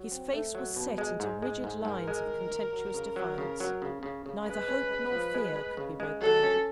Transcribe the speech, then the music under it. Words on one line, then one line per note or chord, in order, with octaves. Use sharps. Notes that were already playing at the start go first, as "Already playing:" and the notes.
His face was set into rigid lines of contemptuous defiance; neither hope nor fear could be read there.
Already playing: F#3
C4
A3
F#3
B2
G#3
G#2
G#3
G#2
G#2 A#4
G#3
D#3
D#3
F#3
C#3
F#3
C#3
F#3
C#3
C#3
C#3
G#3 B4
C#4
G#3
F3
G#3
G#3
C#3
G#3
F#3 A4
C#4